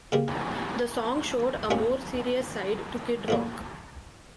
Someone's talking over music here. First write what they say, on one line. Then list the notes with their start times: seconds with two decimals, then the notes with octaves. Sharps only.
The song showed a more serious side to Kid Rock.
0.12 C#3 G3 A#3
1.70 A#2 G3 A#3 C#4
3.28 A2 F3 A#3